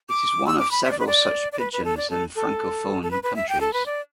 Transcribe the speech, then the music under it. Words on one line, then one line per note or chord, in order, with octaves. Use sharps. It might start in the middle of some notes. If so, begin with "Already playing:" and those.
It is one of several such pidgins in francophone countries.
D6
E6
D6
B5
E5
D5
B4
D5
D5
B4
B4
A4
D5
A4
A4
A4
B4
B4
E5
G5
A4
B4
D5